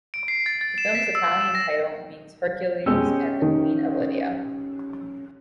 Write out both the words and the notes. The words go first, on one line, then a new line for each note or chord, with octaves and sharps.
The film's Italian title means "Hercules and the Queen of Lydia".
D7
C7
A6
A6
E7
B6
E6
E7
A#6
B2 G#3 C#4 G4 E6
D#3